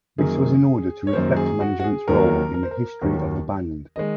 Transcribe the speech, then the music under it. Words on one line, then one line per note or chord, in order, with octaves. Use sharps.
This was in order to reflect management's role in the history of the band.
F#2 D#3 A#3 G#4
C#5
F#2 D#3 A#3 C5
G#4
F#4
F#4
G#4
D#2 D#3 F#3 A#3 A#4
A#4
C5
A#4
D#2 D#3 F#3 A#3
D#3 G#3 D#5